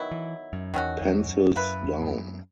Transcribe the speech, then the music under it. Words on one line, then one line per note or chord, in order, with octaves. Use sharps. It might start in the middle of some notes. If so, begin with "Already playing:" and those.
Pencils down.
Already playing: D#3 F#3 B3 E4
E3
F#2
E2 D#3 F#3 C#4 F#4
E2
G#2
F#2
F#2 A#3 E4 B4
E2
G#2
F#2